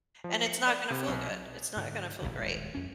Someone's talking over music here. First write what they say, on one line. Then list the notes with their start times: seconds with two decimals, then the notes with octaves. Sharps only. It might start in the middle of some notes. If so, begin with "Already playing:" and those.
And it's not gonna feel good, it's not gonna feel great.
0.24 F3
0.46 C#7
0.67 D5
0.90 C3
1.08 B1
1.77 G#2 D3
2.21 F#1 C#2 B2 D3
2.39 D#1 G#3
2.75 F2 C#4